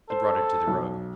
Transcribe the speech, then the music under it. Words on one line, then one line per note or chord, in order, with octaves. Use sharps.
He brought it to the rug.
A4 C5
B1